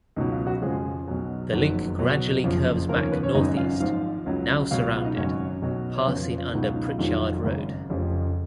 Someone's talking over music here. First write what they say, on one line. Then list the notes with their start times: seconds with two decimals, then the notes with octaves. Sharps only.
The Linc gradually curves back northeast, now surrounded, passing under Pritchard Road.
0.16 C#2 B2 F#3 D#4
0.32 F4
0.46 F#3 F#4
0.62 F2 C#3 F3 G#3 G#4
1.08 B1 B2 F#3
1.53 F#1 F2 D#3 F#3 B3 B4
1.98 B1 B2 F#3
2.44 F#1 F2 C#3 F3
2.89 D#2 C#3 F3 A#3 A#4
3.01 C#4 C#5
3.12 B3 B4
3.23 C#4 C#5
3.34 G#1 F#2 C#3 F#3 D#4 D#5
3.57 F4 F5
3.80 G#1 G#2 F3 F4 F5
4.26 C#2 C#3 F#3
4.71 C#2 B2 F#3 F4 F5
4.82 F4 F5
4.93 F4 F5
5.05 D#4 D#5
5.16 G#1 F#2 C#3 F#3 C#4 C#5
5.62 B1 B2 F#3
5.95 C#5
6.07 F2 C#3 F3 B3 B4
6.23 F4
6.38 F4
6.53 C#2 B2 F#3 D#4
6.64 F4
6.75 D#4
6.87 F4
6.98 F1 F2 D#3 F#3 F4
7.43 G#1 F#2 C#3
7.89 F1 F2 C#3 F3